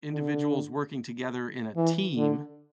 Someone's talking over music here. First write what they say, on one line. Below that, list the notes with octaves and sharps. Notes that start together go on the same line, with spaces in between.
individuals working together in a team
D3
E3
D3